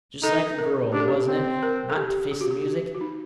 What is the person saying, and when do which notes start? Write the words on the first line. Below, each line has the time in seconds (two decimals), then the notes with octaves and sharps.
Just like a girl, wasn't it--not to face the music?
0.23 D#4 A4
0.59 A#4
0.92 D4 G4
1.00 A4
1.08 G4
1.28 C4
1.63 A#4
1.90 A4
1.97 G4
2.31 G4
2.41 F#4
2.51 G4
2.95 F#4
3.01 D#4